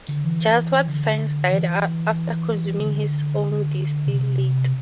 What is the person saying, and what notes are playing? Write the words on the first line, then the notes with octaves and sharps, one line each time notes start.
Jaswant Singh died after consuming his own distillate.
D3
E3
D3
E3
D3
C3